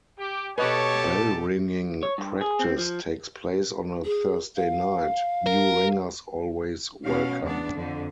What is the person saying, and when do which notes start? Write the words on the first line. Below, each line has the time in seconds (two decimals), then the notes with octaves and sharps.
Bell ringing practise takes place on a Thursday night - new ringers always welcome.
0.19 G4
0.58 B2 G4 A4 B4 C#5 D#5 A5
2.03 C#5
2.18 G2
2.41 G#4
2.59 C4
2.78 F3
4.05 G#4
4.57 F5
5.46 A#4
7.04 B2 C#4 F5
7.42 E2 B3 D4
7.74 F2 D3